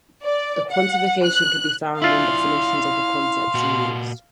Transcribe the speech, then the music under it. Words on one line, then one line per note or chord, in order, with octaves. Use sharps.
The quantification can be found in the definitions of the concepts used.
D5
F#5
F#6
E4 F4 D5 E5 F5 C6
A#2 F#4